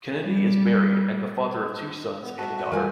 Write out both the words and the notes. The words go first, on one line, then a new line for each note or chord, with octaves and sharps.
Kennedy is married and the father of two sons and a daughter.
G3
B3
F#4 E5 A5
F#4
G3 A3 F4 A#4 G#5